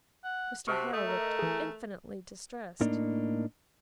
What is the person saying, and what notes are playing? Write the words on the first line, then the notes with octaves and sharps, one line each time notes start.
Mr. Hale looked infinitely distressed.
F#5
C3 F#4 A5 C#6
A3 D#5 E5
A#4
E3 G#4
A2 A#3 D4 D#4